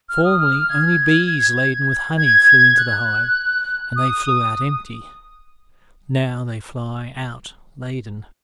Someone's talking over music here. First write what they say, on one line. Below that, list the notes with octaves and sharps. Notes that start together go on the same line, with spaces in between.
Formerly only bees laden with honey flew into the hive, and they flew out empty; now they fly out laden.
F6
D#6
F6
G#6
G#6
F#6
D#6